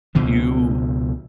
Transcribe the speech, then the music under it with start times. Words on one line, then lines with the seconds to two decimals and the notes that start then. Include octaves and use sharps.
Do you
0.15 C#2 B2 D3 F3